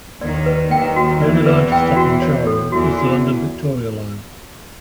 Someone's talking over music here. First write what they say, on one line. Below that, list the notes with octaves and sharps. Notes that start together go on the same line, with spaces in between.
The only line to stop in Charing is the London Victoria line.
D#2 D#3 D5
B4
D#2 D#3 G5
F#4
E2 E3 D5
B4
G5
F#4
C#5
A4
E2 E3 F#4
F#4